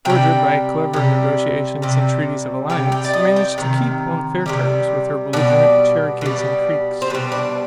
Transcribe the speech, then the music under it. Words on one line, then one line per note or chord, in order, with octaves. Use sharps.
Georgia, by clever negotiations and treaties of alliance, managed to keep on fair terms with her belligerent Cherokees and Creeks.
C3 G3 G5
C3 G3
C3 G3
C3 G3 G5
G5
D5
D#5
G5
C3 D#3
C3 D#3 G3
B2 G3 D5
B2 G3
C5
B2 G3 B4
D4